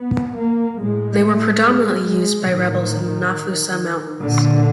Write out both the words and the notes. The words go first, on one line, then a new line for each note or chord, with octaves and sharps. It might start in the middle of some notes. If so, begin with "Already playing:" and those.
They were predominantly used by rebels in the Nafusa Mountains.
Already playing: B3
A#3
A2 G#3
A3
G#3
G#3
A2 D#3
A#2 D3